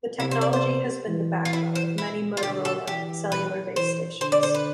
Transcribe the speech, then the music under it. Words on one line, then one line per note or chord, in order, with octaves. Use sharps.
The technology has been the backbone of many Motorola Cellular Base stations.
C3 E4
C5
D5
C5
E3
F4
E4
C5
E4
F4
D3 G4
A4
E3 G4
B4
E3 C5
D3 C5
D5
C5
B4